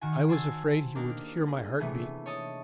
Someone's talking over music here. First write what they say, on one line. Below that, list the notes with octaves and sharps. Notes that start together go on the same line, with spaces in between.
I was afraid he would hear my heart beat.
D#3 F#4 G#5
C5 G#5 A5 E6 G#6
A#3 D4 D#4 G4 A#4
G#4
C3 E3 A3 B3 G#4
C#5 D#5 A5 D#6